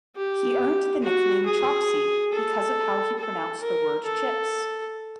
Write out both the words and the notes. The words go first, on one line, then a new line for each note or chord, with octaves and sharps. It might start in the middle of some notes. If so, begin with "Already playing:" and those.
He earned the nickname 'Chopsy' because of how he pronounced the word 'chips'.
G4
F#4
G#4
A4
A4
A#4
A4